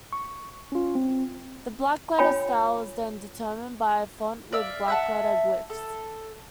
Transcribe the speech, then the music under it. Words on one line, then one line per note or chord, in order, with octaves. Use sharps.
The black-letter style is then determined by a font with black-letter glyphs.
C#6
C#4 F4
C4
D4 F4 C#5 G5 G#5 B5
D5 E5 F5
E5 F#5 A5
A4